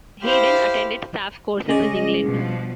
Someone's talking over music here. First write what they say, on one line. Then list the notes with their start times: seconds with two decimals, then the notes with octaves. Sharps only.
He then attended staff courses in England.
0.23 E4 G4 C5 F5
1.68 C#3 G3 G#3 C#4 D5 D#5
2.21 G2 B2 F3